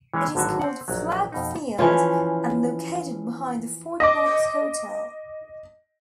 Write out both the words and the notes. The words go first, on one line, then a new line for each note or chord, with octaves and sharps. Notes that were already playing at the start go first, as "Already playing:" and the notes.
It is called Flagg Field and located behind the Fort Knox Hotel.
E3 G#3 C#4 G#4 C#5
G#1 A2 D3 F#3 F#4 E5
C4 F#5
A#1 F#3
F2 B2 D#4
E3 F3 C#4 F4
D#5 D6